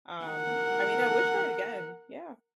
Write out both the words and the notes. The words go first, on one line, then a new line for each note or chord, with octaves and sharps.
Um, I mean, I would try it again, yeah,
A#4 F#5